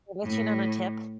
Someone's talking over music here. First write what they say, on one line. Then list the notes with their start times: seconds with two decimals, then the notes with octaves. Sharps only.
let you in on a tip.
0.23 A2